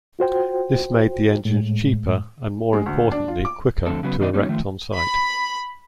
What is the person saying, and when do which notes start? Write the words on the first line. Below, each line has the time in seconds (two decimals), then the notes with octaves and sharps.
This made the engines cheaper, and more importantly quicker, to erect on site.
0.19 F4 F#4 C5 G5
1.45 A2 G#3
2.73 G#3
2.86 D2
3.12 D4
3.28 F4
3.45 D6
3.86 F2 D3 A3 C4 A4
4.03 C#3 F#3 B3
4.20 B2 D#3 D4 D#4 D5 D#5
4.33 F#3 A#3 C#4 D#4
4.49 D#3 F3 A3
4.96 B5